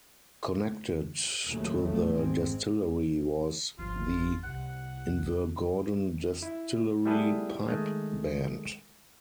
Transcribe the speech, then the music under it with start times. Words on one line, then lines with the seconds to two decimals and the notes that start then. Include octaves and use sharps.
Connected to the distillery was the Invergordon Distillery Pipe Band.
1.47 D#2 A#2 C#3 F3 F#3 A3
1.81 A#1 A2 F3 A3
2.12 G#1 G#2 G#3 C4
3.79 G1 F3 F4
4.44 C2 F#5
6.43 E4
7.05 G3 B3 E4 G#4 A4 B4
7.68 D#3 G#3 A3